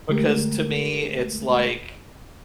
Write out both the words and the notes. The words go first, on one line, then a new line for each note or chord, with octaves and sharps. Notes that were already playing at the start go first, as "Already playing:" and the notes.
because to me it's like
D3 G#3 A3 G4 A#4